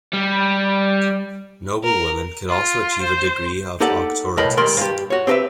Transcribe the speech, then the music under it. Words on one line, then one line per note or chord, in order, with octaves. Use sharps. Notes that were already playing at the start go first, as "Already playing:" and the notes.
Noble women could also achieve a degree of Auctoritas.
G3
A#4
F4
C5
D#4 G4 A4 D5 F#5
B1 A2 A#4 D#5 B5
D#3 G3 G#3 A#4 B5 C6
G2 G4
F#4 C#5
C4 G4 A#4 B4 E5